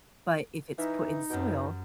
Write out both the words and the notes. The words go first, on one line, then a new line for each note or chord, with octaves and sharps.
but if it's put in soil,
E3 D#4 A#4 E5 A#5
F#2 B2 G4